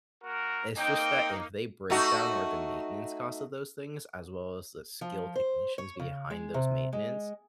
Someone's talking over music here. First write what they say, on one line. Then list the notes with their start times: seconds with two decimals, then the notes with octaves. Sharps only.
it's just that if they break down or the maintenance costs of those things, as well as the skilled technicians behind those maintenance,
0.24 A#3 F#4 A#4
0.77 A#3 C4 D#4 D#5 G5
1.90 A3 D#4 F#4
5.01 F3
5.36 C5
5.78 C#5
5.99 C#3
6.30 G#3
6.54 C3
6.93 G#3